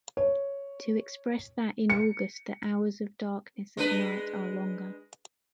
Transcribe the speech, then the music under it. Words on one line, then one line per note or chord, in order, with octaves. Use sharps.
To express that in August the hours of darkness at night are longer.
C#5
C#7
G#3 D4 B4